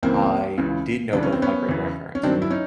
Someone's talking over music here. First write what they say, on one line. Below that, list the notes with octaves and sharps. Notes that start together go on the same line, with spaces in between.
I did know both my great-grandparents,
C#2 C#3 E3 A#3 C4
C#2 C#3 E3
E2 C#3 E3 D4
C#4
C4
B3 C#4
E2 C#3 E3
C#4
G2 D#3 F#3 C4 D4
E4
C#4 D#4